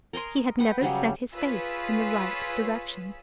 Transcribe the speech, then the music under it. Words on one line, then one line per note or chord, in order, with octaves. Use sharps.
He had never set his face in the right direction.
A#4 D#5 G#5 C6
B4 F#5 G5
C#3 F#3 G3 G#4
F4 G#4 B4 C#5 E6 B6